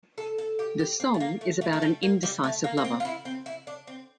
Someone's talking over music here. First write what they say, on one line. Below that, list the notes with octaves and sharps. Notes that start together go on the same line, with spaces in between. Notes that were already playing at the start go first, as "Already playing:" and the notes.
The song is about an indecisive lover.
A4
A4
G4
G4
C4
A3
A#3
A3
A3
A3
G3
A#3
G3
A3
A#3
A#3
C4
F4
E4
C4
E4
D4
C4